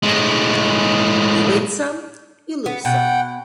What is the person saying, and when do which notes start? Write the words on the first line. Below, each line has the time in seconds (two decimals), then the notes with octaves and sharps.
You win some, you lose some.
0.03 A2 G#3
2.66 B3
2.85 B2 F#5 G5